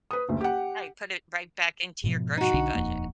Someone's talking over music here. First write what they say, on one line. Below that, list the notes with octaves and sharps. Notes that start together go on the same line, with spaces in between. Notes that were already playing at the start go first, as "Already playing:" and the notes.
Right put it right back into your grocery budget.
B4 D#6
F#1 D2
G4 F#5
G#2 B2 F3
D#4 F#4
B1 D3 D4
D#1 F2 A#3